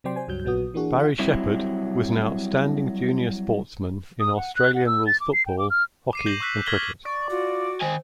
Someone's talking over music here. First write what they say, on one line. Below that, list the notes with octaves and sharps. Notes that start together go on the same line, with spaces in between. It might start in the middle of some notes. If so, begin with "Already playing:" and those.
Barry Shepherd was an outstanding junior sportsman in Australian rules football, hockey and cricket.
C3 F#3 C4 D5 G5 C6
C5 G#5
C#2 G2 F#3 G6
A#1 A#2 F#3 B3 F#4 D#6
E3 A#3 D4 F#4 G#4
F4 F#5
F#3 G3 C4 E4
D#6
F#5
F#6
F#5
E6
A6
D6
C7
G5
D6
F6
D6 C7 D#7
G6 A#6 C7 E7 F#7
C#6 E6 F#6 B6
F6 G#6 A#6 B6 F#7 G7
D5 C#6
F4 F#4
D#3 C5 G#5